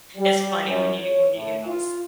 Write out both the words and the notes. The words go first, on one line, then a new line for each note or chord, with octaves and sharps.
It's funny when you when you hear those
G3
F#2
C#5
A2
F4